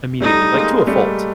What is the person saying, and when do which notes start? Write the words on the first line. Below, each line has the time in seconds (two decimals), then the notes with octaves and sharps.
immediately- like, to a fault,
0.20 G3 A3 D#4
0.54 G#3 A#3
0.87 G3 A3